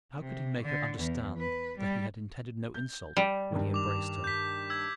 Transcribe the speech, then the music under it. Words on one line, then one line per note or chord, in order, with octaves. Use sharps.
How could he make her understand that he had intended no insult when he embraced her?
C3
D3
E2
B4
G3
G6
G3
G2 D#3
D6 F7
G6 B6
E6 G#6